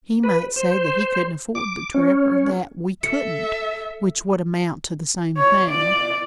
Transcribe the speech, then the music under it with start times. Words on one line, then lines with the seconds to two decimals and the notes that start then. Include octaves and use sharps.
He might say that he couldn't afford the trip, or that we couldn't, which would amount to the same thing.
0.24 B4
0.56 C5
1.55 D6
1.94 C#4
3.04 A4 E5 C#7
5.37 C#5
5.69 D5